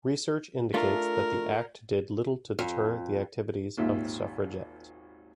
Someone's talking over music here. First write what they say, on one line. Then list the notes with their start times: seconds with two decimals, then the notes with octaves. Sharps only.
Research indicates that the Act did little to deter the activities of the suffragettes.
0.74 A3 D4 F4 A#4
2.59 F2
3.77 G#1 D#2 A#2 E5